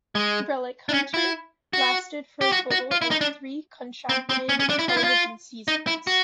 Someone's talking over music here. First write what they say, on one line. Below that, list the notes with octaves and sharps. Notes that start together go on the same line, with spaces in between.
"Relic Hunter" lasted for a total of three contracted television seasons.
G#3
D4
C#4
E4
F#4
G4
F#4
F#4
F4
E4
D#4
D4
C4
C4
C#4
C#4
D4
E4
F4
E4
F4
D#4
E4
F#4